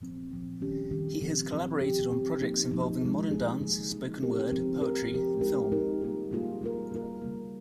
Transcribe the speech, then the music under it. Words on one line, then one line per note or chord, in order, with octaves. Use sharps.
He has collaborated on projects involving modern dance, spoken word, poetry, and film.
A#2 F3 C4
A#2 F3 C4
D#3 G3 C#4 G4
D#3 G3 C#4 G4
A#2 F3 C4
A#2 F3 C4
F3 C4 G4
F3 C4 G4
F3 A#3 D#4
F3 A#3 D#4
G#3 D#4 G#4
G#3 D#4 G#4
C#3 F3 A#3 D#4
C#3 F3 A#3 D#4
F3 C4 G4 A#4
F3 C4 G4 A#4
F3 C4 G4 A#4
F3 C4 G4 A#4
G#3 D#4 G4 A#4
G#3 D#4 G4 A#4
G3 A#3 F4 G#4
G3 A#3 F4 G#4
G3 A#3 F4 A#4
G3 A#3 F4 A#4
C#3 G3 A#3